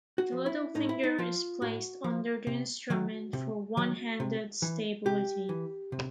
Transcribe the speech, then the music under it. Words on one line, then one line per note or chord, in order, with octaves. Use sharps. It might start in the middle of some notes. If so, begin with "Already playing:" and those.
The little finger is placed under the instrument for "one-handed" stability.
F#4
F3
E4
A2 D#4
E4
D#4
F3 F4
A2 F#4
F3
C3
D#3 F#3
C3
D#3 F#3
C3
E3
C3 G4
E3
C3